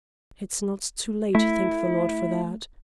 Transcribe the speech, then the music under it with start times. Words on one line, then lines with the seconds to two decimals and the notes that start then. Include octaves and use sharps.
It's not too late, thank the Lord for that!
1.35 A3 E4